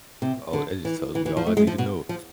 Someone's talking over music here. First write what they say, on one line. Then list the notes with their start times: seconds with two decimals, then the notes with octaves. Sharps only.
Oh, that just tells me all I need to know.
0.22 C3
0.53 D3
0.85 E3
1.15 E3
1.26 E3
1.37 F3
1.46 A3
1.57 G#3
1.67 F3
1.78 B2
2.09 F3